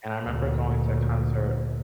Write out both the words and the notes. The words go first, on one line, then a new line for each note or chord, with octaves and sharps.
and I remember going to a concert
D2 A#2